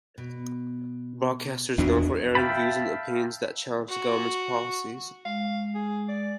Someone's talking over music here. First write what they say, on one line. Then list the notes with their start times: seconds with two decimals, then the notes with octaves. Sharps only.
The broadcaster is known for airing views and opinions that challenge the government's policies.
0.18 B2
1.78 E2 B3 D4 E4 F#4 G#4
2.35 E5 F5 G5 A5 B5
3.89 F#4
5.25 G#3 F5
5.75 G#4
6.08 D5